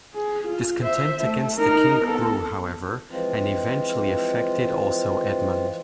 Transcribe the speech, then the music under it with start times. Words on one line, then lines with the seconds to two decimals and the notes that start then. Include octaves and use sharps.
Discontent against the king grew, however, and eventually affected also Edmund.
0.14 G#4
0.47 F4
0.83 C5 E5
1.24 A3
1.59 D#4 A#4
2.04 B3 A4
3.11 E3 F3 G#3 C4 F4